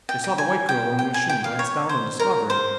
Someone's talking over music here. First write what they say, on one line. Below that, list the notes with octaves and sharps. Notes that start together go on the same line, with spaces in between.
They saw the white girl in the machine glance down and discover him.
G5
G5
G#5
G5
G5
G#5
G5
F5
C#5
C5
A#4
C5